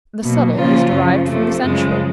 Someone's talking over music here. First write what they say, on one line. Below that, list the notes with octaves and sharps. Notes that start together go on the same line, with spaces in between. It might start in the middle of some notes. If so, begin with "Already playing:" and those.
The subtile is derived from the sensual.
B2 F#3 A#3
C#3 F3 A#3 C#4 F4
F#2 C#3 F3
C3 F3 A3
F#2 C#3 F3 G#3